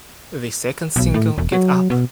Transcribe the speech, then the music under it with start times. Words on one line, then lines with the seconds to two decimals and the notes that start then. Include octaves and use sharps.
The second single Get Up!
0.96 B1
1.14 A2
1.38 E1
1.52 F#3
1.90 B2